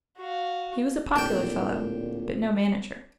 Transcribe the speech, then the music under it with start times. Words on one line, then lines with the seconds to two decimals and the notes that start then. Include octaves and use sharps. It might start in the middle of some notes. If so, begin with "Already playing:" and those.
He was a popular fellow, but no manager.
0.18 F#4 F5
1.16 D1 A#2 D4 G5